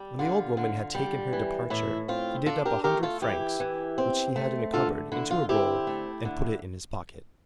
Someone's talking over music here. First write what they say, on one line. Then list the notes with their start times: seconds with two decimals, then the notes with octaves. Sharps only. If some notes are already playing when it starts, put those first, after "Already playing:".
When the old woman had taken her departure, he did up a hundred francs which he had in a cupboard, into a roll, and put it in his pocket.
Already playing: G3
0.19 D3 F4
0.57 D3
0.95 G3
1.33 E3
1.70 A2 E4
2.08 C4 F4
2.46 D4 F4 A4
2.65 G4 A#4
2.84 A3 G4 A#4
3.03 F4 A4
3.22 E3 E4 G4
3.60 E3
3.98 C4
4.36 A3
4.74 D3 F4 A4
5.12 D3 E4
5.30 F4
5.49 C4 E4 G4
5.87 A3
6.25 D3